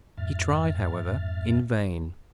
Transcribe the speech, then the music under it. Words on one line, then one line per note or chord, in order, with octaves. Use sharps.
He tried, however, in vain.
F2 G#2 E5 F6 A6